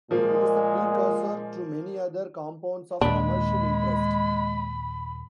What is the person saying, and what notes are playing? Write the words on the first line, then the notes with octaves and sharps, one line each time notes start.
It is a precursor to many other compounds of commercial interest.
A#2 F3 G#3 A#3
D#2 A#2 G#3 D4 B5